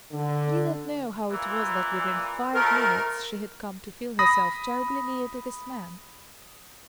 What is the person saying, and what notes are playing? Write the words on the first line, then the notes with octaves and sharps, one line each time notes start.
She did not know how it was that within five minutes she had come to feel herself terribly near to this man.
D3
A#2 E3
B2 F3 A3 A#4
B5 D#6 A#6